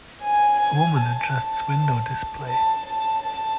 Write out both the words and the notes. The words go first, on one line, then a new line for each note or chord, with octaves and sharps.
A woman adjusts window display.
G#5
G#5
A5
A5
A5
A5